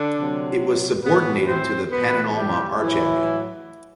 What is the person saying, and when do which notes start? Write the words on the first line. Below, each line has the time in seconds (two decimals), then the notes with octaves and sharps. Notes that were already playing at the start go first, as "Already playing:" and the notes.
It was subordinated to the Pannonhalma Archabbey.
Already playing: D3 D4
0.16 C3 F#3
1.04 A2 E3 B3 B4
1.48 C4 C5
1.91 A2 E3 B3 B4
2.36 G3 G4
2.79 A2 E3 F#3 E4